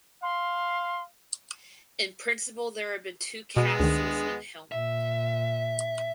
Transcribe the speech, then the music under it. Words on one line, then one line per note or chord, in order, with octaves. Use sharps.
In principle there have been two castles in Helmond.
F5 C6
B2 G#3 B3
D2 D#3 D4 G#4
A#2 E5